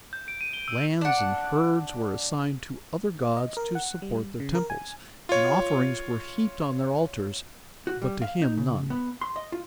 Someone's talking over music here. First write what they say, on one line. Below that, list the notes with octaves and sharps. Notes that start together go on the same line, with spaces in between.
Lands and herds were assigned to other gods to support their temples, and offerings were heaped on their altars, but to him none.
G6
D7
D#7
G7
E6
D4 F#5
D#5
A#4
F#5
G3
C#3
A#4
G#5
F4 C#5
F#4
G3
F5
D#4
C#3
B3
C6
D#5
F4